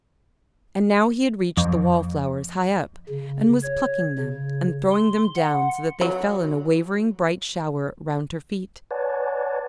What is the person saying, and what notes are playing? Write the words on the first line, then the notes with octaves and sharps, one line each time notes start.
And now he had reached the wallflowers high up, and was plucking them and throwing them down so that they fell in a wavering bright shower round her feet.
F2
C#3
C#5
C#3
C6
F#5
F#3
B4 C#5 D5 F#5 G#5 A5